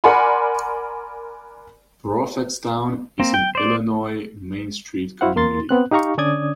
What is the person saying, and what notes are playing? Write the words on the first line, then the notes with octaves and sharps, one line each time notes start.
Prophetstown is an Illinois Main Street Community.
A#4 D5 F#5 G#5 B5 C6
A#3 C4
G5
C5 D5
E4 F#4 C5 F5 F#5
E2 A#3 A#4 C6 A6
B3 C4 F#6
D#4 G4 F5 A#5 C#6
D3 C#4 D4 D5 D#6 G#6